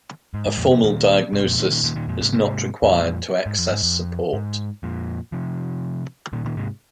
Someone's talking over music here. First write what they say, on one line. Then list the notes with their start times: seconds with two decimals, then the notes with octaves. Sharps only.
A formal diagnosis is not required to access support.
0.34 G#2
0.47 G#2
0.58 F2 A#2
0.71 C3 F3
0.84 A#2 D#3
1.33 G#2 C3
1.45 F2 A#2
1.58 A#2 D#3
1.71 A#2 D#3
1.84 A#2 D#3
1.96 A#2 D#3
2.08 F2 A#2
2.21 G#2 C3
2.33 G#2 C3
2.83 F2 A#2
3.46 G#2
3.59 F2
3.71 G#2
3.83 F2
4.33 G#2
4.83 F2 A#2
5.32 C3 F3
6.33 A#2 D#3
6.45 A#2 D#3
6.57 G#2 C3